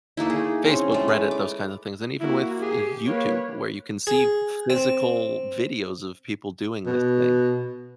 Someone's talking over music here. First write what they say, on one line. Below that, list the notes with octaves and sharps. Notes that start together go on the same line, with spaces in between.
Facebook, Reddit, those kinds of things, and even with YouTube, where you can see physical videos of people doing this thing
A3 A#3 D#4 E4
G#4
C4 C#4
G#3 A3
B4
D6
A#3 E4 F#4
G4 G#4
A#3 B4 C#5
G#4
C4
B2